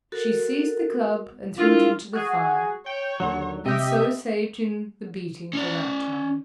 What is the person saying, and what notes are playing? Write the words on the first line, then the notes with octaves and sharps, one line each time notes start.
She seized the club and threw it into the fire, and so saved him the beating for that time.
F#4 A4 A#4
D4 E4 F4 A#4
F#4 G#4 G#5
C#5 G5
D#2 D3 F#3
C3 G4 D#5 E5
C#4 D5